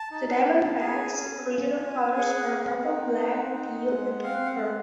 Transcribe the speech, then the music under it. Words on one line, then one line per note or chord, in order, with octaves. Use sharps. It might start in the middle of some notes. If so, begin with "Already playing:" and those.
The Diamondbacks' original colors were purple, black, teal and copper.
Already playing: A5
D#4
A#3
G#4 G#5
C#4
F4
C#4
G#4 F#5
C4
D#4
C4
D#4
G#3
C4 F5
F#5
G#3